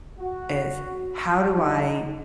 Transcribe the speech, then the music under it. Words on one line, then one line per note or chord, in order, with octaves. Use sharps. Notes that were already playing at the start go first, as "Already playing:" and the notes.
is how do I
F#4
D#4